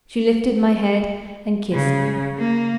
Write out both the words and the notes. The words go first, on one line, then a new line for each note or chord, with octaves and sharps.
She lifted my head and kissed me.
C#3
A#3